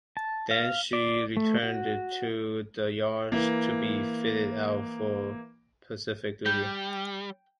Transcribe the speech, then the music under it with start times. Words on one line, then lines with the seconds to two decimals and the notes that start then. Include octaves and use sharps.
Then, she returned to the yards to be fitted out for Pacific duty.
0.17 A5
0.51 F5
0.93 D5
1.37 A3
1.63 F#4
3.32 E3 A#3
6.46 G3 G5